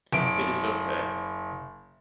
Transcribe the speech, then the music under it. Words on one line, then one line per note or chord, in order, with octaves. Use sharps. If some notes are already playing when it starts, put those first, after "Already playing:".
It is okay...
F#1 D7